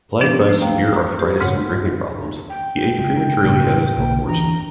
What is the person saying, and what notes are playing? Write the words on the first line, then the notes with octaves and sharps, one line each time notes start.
Plagued by severe arthritis and drinking problems, he aged prematurely as his health worsened.
F3 B3 C#4 D4 G4
A3
F5 G5 A#5
A#5
G4 C5
G#2 C#3 G#3 C#5 F#5
G5
C#3 G#3
A2 C#3 A#3
B1 D3 A#3
E3 D4 A#5